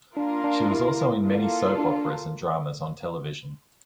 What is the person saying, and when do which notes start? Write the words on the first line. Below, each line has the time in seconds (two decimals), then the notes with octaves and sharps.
She was also in many soap operas and dramas on television.
0.16 A#3 D4 F4 A#4
0.44 D4
0.71 E4
1.24 A#3 F4 A4
1.78 D4